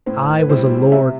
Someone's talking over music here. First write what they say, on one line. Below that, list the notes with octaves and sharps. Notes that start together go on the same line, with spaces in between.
I was a lord.
A2 C5
B4
G3 C4 E4 C5
C3 E5